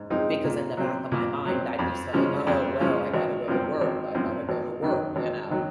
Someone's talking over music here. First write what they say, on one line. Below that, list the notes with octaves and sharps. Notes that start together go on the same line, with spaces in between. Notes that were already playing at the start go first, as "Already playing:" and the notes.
because in the back of my mind, I'd be saying, "Oh, well, I gotta go to work, I gotta go to work," you know.
Already playing: G#2
F3 G#3 C4 D#4
A#2
F#3 C4
A#2
F#3 C4
F2
C#3 F3 G#3 C#4
F2
C#3 F3 G#3 C#4
G#1
F#2 F3 C4
G#1
F#2 F3 C4
G#1
F#2 D#3 F#3
G#1
D#3 F#3